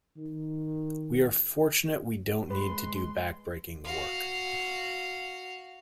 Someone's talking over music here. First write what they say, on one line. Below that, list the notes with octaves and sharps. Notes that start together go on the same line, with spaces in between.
We are fortunate we don't need to do backbreaking work.
D#3
G#3 B4 C6
F#4 F5